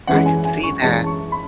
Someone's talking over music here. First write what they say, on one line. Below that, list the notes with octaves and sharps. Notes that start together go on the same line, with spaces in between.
I could see that.
F#2 E3 G#3 C#4 F#5
G#5
G#5
C#6
F#2 E3 G#3 C#4 A5
C#6
B5